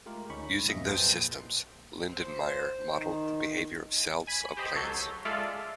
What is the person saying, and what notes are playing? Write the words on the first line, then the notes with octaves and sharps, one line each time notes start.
Using those systems Lindenmayer modelled the behaviour of cells of plants.
G#3 A3 F4 G4 A#4
D2 C#4 D#4 B5 C#6
G#2
B1 F2 F#3 A#3 D#5 E5
F#4 G#4 B4 C5 G5 A5
A#2
C5
D#3
G#5 B5
G4 C5 D#5 B5
C#2 F#3 A4 C#5 G6 C7
G#3 F4 A4 D5 E5 F5